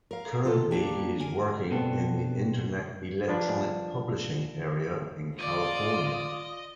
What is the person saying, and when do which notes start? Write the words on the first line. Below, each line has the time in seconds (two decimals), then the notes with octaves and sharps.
Currently he is working in the internet electronic publishing area in California.
0.11 A#4 F5
0.45 F4 A4
0.71 A#3 D4 G4
1.20 A#4 G#5
1.71 B2 B3 C4 D4 A4
3.28 F3 D4 B4
5.39 F4 D5 D#5